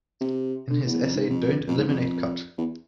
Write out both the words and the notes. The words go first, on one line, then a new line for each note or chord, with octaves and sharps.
In his essay Don't Eliminate Cut!
C3
D3
E2
F2
G#2
F2
F2
G#2
F2
E2